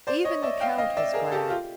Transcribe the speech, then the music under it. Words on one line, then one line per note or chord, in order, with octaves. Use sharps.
Even the Count was glad.
C5 D5
C#5 D#5
D5 E5
F5 G5
D#5 F5
D5 E5
G#4 A#4
G4 A4
F4 G4